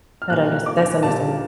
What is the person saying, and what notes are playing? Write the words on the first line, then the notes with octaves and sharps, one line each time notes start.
That under that's understand
F6
A#2 G3 A#3 F#6
D6
A#2 G3 A#3 A5